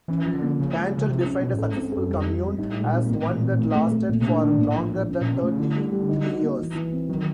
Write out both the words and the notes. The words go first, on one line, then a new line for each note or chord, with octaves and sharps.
Kanter defined a "successful" commune as one that lasted for longer than thirty-three years.
E3 C#4
F3
D3
A#3
C#3 F3
G#3
C#3 G#3
C3 F3
C#4
B2
C#4
G#2
A2 A4
G#2
C4
G#2
F#2 A4
F2 G3
G3
G3
A2 D#4
G#3
A#2
C4
A2
E3
C4
A3
A3
A3
A#2
C3 D4
D3
D#3 D4
A2 A#3
F3
F3
C#4
A#2 C#4
C3
C#3 A3
D3 E4
G3
G3
D#4
F#4
A#3
E3
E3
C4
D#3 F#3